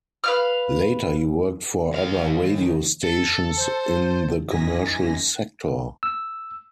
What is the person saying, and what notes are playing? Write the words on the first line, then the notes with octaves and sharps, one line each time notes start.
Later, he worked for other radio stations in the commercial sector.
B4 F5 F6
D#2 F5
A4
C5
A1 F#2 D#4 G#5 A#6 B6
E6